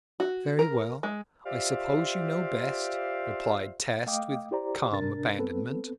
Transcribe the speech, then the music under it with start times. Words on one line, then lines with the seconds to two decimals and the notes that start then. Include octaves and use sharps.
"Very well; I suppose you know best," replied Tess with calm abandonment.
0.20 F#4
0.59 A#4
1.03 G#3
1.46 F4 G4 C5 D5 E5 F5
4.06 A3 D#5 F5 G5 D6 D#6
4.51 E4 G4 C5 D5 A#5
4.91 G#2 C3 D4 A#4 A6
5.39 B3 C4 A4 B4